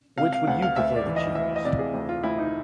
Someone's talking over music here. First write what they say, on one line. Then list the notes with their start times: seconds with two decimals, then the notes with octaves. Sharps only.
Which would you prefer to choose?
0.18 C3 F5
0.33 F5
0.47 D2 F#5
0.62 F5
0.76 D2 E5
0.96 D5
1.06 E3
1.16 D#5
1.35 E3 E5
1.56 D#5
1.65 C3 D5
1.79 G#4
1.94 D2
2.09 F4
2.23 D2 E4
2.38 D#4